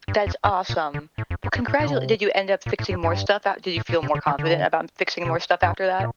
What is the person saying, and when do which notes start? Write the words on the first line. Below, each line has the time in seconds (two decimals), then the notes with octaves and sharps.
That's awesome. Well, congratul did you end up fixing more stuff out? Did you feel more confident about m fixing more stuff after that?
0.08 G2
0.27 F2
0.45 G2
0.69 A#2
0.94 D3
1.18 A2
1.31 F2
1.44 G2
1.56 G2
1.68 A2
1.80 A#2
1.87 D3
1.93 C3
2.66 A#2
2.79 A2
2.91 G2
3.03 G2
3.77 A2
3.89 A#2
4.03 C3
4.15 D3
4.27 D#3
4.39 D3
5.25 C3
5.63 G2
6.00 A#2